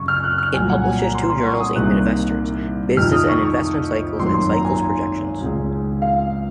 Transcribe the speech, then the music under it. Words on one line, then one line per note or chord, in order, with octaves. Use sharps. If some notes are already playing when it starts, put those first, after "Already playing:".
It publishes two journals aimed at investors, "Business and Investment Cycles" and "Cycles Projections".
Already playing: F#2 C#3 C#6
F6
F#6
F6
C2 A#2 F#3 G#5
F#5
G#5
A#5
C6
C6
C#6
D#6
C2 C3 D#3 A#3 F#6
F2 C3 D#3 F6
D#6
C#6
C#6
G#1 F#2 D#3 F#3 A#3 C6
C6
A#5
G#5
C#2 C#3 G#3
F5